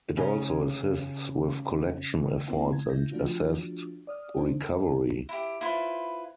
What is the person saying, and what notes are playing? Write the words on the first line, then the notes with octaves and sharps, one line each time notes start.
It also assists with collection efforts and asset recovery.
C#3 C#4
A#3 C4 E4
G#6
E4 G6 A#6
F3 A3 D4 F4 F#4
D5 D#6 F6
D4 D#4 A4 C5
E4 G4
E4 F4 B4 C5